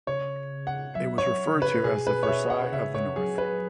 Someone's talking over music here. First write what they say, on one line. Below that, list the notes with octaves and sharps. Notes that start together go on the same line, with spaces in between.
It was referred to as "The Versailles of the North".
C#3 C#5
F#5
F#3 E5
C#5
F#3
C#3
B4
B2 G#4
B4
C#5
B2 E5
F#5
C#3 E5
C#5
F#3 G#4
B4